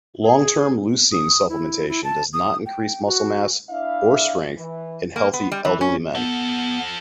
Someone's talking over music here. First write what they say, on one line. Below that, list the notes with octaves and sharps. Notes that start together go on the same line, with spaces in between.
Long-term leucine supplementation does not increase muscle mass or strength in healthy elderly men.
G#4
D#6
E4
E4
A5
D#6
G5
F#4
D4 E4 E5 F5
E3
A#3
B3
G3
E3
C#4
F3 B3 A4